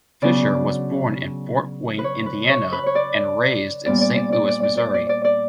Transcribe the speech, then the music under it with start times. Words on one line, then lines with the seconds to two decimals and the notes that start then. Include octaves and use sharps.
Fischer was born in Fort Wayne, Indiana, and raised in Saint Louis, Missouri.
0.22 C#3 F#3 B3 D4 D5
1.99 B4
2.04 C#5
2.26 B4
2.49 C#5
2.72 B4
2.86 C#5
2.95 D5
3.86 A#2 G3 B3 D4 D5
4.01 D5
4.16 D5
4.32 D5
4.48 D5
4.63 D5
4.77 D5
4.94 D5
5.09 D5
5.25 D5